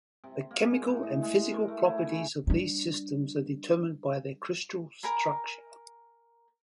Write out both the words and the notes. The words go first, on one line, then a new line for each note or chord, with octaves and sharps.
The chemical and physical properties of these systems are determined by their crystal structure.
C3
A#3
G#3
A2
D#4
G#3
A#4
A3
E4
C#3
E4
G3 D4
A#4 G#5 A#5 B5